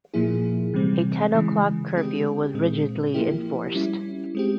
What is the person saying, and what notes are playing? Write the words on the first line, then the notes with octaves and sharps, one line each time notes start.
A ten o'clock curfew was rigidly enforced.
A#2 F3 A#3 E4 G#4
C3 E3 G3 C4
C#3 E3 G#3
G#3 C4 G4
A#2 G#3 C4
F3 A#3 E4 G4
G3 C#4 E4
G#3 C4 G4